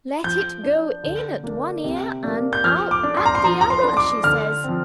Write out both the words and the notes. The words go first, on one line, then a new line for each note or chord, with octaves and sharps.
'Let it go in at one ear and out at the other,' she says.
F3 G6
D4
D3
A#3 D4
C3
A#3 D4
G6
F3 F6
D6
D4
C6
A#5
C6
F3 A#5
A#5
C6
D4
D6
D3 F6
F3 C4